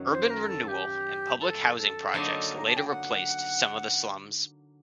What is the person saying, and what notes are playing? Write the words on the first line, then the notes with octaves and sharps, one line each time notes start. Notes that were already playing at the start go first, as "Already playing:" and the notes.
Urban renewal and public housing projects later replaced some of the slums.
Already playing: F#2 D#3 F#3
C5
A#4
A4
G4
A4
A4
D3 F#3 A#3 D#4
A#5
A5
G5
F#5